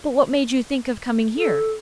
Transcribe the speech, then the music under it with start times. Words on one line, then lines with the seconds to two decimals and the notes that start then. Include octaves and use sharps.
"But what made you think of coming here?"
1.37 A4